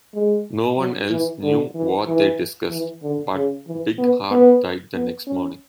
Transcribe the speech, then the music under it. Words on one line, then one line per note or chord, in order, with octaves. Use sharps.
No one else knew what they discussed, but Bigheart died the next morning.
G#3
F#3
E3
D3
E3
E3
E3
D3
C#3
E3
B3
B3
B3
C#4